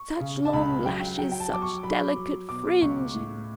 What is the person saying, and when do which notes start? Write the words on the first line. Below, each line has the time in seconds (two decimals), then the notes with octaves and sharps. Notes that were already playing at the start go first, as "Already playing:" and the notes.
Such long lashes, such delicate fringe!
Already playing: C#6
0.20 C#3
0.45 A5
0.53 C#2 B5
0.86 F#3 G5
1.18 F#3 G5
1.32 G5
1.40 A5
1.51 F#3 D6
1.62 C#6
1.83 F#3 B5
2.16 F#3
2.49 B2 D6
2.82 C#2 C#6
3.14 A2